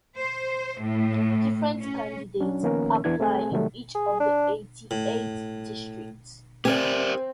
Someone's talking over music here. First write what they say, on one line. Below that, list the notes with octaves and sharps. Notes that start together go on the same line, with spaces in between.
Different candidates apply in each of the eighty-eight districts.
C5
A2
C#4
F#3 C#4 D4
D#3 F3 A#3 B3 C#4 A#4
E2 E3 B3 D4 E4 G#6
A3 C4 G#4 A4 G#5
C3 D#3 F#3 G3 A3
G#4
D4
A2
C4 G4 A#4 D5 G#5